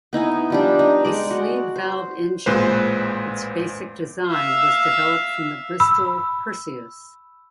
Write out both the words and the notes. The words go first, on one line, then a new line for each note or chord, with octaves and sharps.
A sleeve valve engine, its basic design was developed from the Bristol Perseus.
B3 D#4 E4 G#5
F3 G3 D4
D#4
G#3 D5
F#4
C5
A1 A#2 G#3 B4 C5
E5 F5
B5 E6